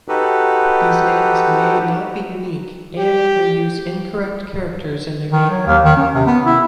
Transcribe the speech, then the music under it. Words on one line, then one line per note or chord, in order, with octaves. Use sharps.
These names may not be unique and may use incorrect characters in their name.
D#4 F#4 G4 A4 B4
G4
D#3
F#3
D#2
D#3
C#4
C3
B3
E4